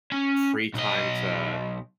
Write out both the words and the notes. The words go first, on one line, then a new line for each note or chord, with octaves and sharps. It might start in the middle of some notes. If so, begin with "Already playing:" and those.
free time to
C#4
B1 D#5